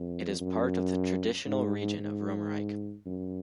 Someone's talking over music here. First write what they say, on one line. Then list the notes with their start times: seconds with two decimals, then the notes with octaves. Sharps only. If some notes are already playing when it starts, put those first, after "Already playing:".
It is part of the traditional region of Romerike.
Already playing: F2
0.41 F#2
1.46 G#2
2.00 G#2
3.06 F#2